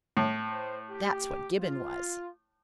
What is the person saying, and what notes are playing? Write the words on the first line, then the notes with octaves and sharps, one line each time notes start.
That's what Gibbon was.
A2
C5
G4
F4